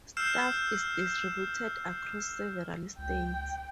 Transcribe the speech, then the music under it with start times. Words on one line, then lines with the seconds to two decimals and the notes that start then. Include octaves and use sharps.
Staff is distributed across several states.
0.17 E6 F6 G6 C7 E7
2.98 C#2 G5